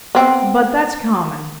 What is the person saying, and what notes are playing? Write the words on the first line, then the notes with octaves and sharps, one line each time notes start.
'But that's common.
B3 C4